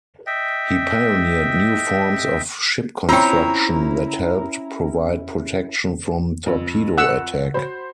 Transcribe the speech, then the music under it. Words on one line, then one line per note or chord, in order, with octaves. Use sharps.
He pioneered new forms of ship construction that helped provide protection from torpedo attack.
D#5 E5 G5
C4 C#4 E4 F4 C#5 G5 A#5
F2
F#5 E6
F#4 C5 B5